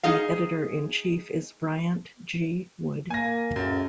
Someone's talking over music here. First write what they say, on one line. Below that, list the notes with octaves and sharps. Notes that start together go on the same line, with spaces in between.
The editor-in-chief is Bryant G. Wood.
D#4 G#4 D#5 F5
A#3 G#5 A#6
C#2 F#2 A2 C#3